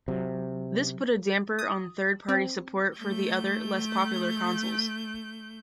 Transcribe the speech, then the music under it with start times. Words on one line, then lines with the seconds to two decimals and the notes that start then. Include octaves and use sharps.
This put a damper on third party support for the other, less popular consoles.
0.08 C3 F#3
1.59 D#6
2.29 C4
2.98 A3 G6